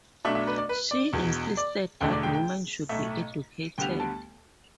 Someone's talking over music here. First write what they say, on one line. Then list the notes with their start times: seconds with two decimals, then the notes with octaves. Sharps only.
She insisted that women should be educated.
0.24 B1 B2 A3 D4 E5
0.35 E5
0.47 B4
0.58 D5
0.69 B4
0.91 D5
1.13 E1 E2 B2
1.57 D5
2.01 E1 E2 D3 A3 D4 G5
2.12 D5
2.23 G5
2.34 G5
2.89 B1 A2 A3 E5
3.78 D2 D3 G3 B3 G5
4.00 A5